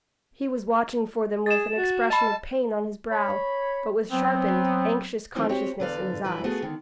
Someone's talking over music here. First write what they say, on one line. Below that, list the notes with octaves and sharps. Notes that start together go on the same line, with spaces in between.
He was watching for them with an expression of pain on his brow, but with sharpened, anxious consciousness in his eyes.
G#4 A6 E7
F#4
D#5 A5 B5
C#5 B5
F#3 B3 C4
D#3 E3 F#3 A#3 C4 D#4
C4 F#4 G4 C#5
E2 D3 B4 D5 F5
E3 F#3 F4 B4
A3 B3 F4 F#4 G#4
D3 D#3